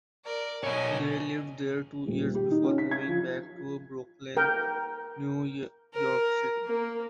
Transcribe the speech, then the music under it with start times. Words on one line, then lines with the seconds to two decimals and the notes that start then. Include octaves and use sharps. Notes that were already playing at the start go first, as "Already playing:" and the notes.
They lived there two years before moving back to Brooklyn, New York City.
0.25 A#4 D5
0.64 B2 C#5 D#5 G#5
2.07 D#1
2.35 G4
2.51 D#4
2.64 C#4
2.78 B6
2.91 G#6
3.08 F3
4.37 A#4 G5
5.94 A#4
6.66 A#3